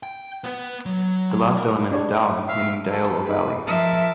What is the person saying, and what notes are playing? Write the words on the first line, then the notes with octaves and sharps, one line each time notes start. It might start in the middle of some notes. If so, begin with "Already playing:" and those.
The last element is "dalr" meaning dale or valley.
G5
B3 B4
F#3
A#4
D4 G#4 C#5
E5 F5
A4
D#4 G#4 B4
F3 A#4 E5 A5